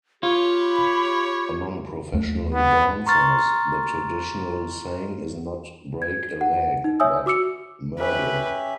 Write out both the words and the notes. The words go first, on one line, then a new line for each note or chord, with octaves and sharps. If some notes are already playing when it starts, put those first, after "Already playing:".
Among professional dancers, the traditional saying is not "break a leg," but "merde".
F4 G4 C#5 B5
D#2 A3
B3
A#5 C6 C#6 F6 A6
G#6
F#5
D#4
C#5 E5 G#5 D#6 E6
F#4 D6 E6 C#7
C#4 G4 B4 E5